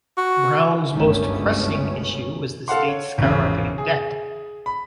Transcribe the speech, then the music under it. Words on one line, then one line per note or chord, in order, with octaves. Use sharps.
Brown's most pressing issue was the state's skyrocketing debt.
F#4
F#1 C#2 G2 A3 B3 C#4
A4 F5 F#5 C6
C#5
G#1 E2 C#3
G#4
B5